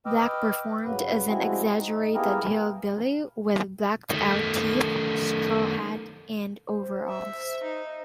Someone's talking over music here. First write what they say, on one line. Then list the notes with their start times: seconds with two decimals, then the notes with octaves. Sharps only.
Black performed as an exaggerated hillbilly with blacked-out teeth, straw hat and overalls.
0.06 B4 D#5 G5 D6 E6 F6
0.84 G2 C#3 F#3 B4
1.26 F3 G3 G#3 C4 E4 F#4
1.79 D#4
2.14 A#3 B3 E4 G4 G#4 A#4
4.10 D#3 A3
6.69 C5
7.09 E5
7.64 D#4